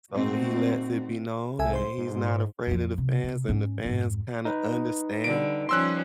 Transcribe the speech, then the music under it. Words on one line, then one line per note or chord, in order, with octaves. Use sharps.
so he lets it be known, and he's not afraid of the fans, and the fans kinda understand,
A#2 A3 C4 D#4 F#4
C2 A4 E5 G#5
C5 C6
G#2
F2 F3
C3
C3
G#2 C#4
F2 G#2
D#4 B4
D3 G3 D7
F3 G3 C#4 C6 E6 F#6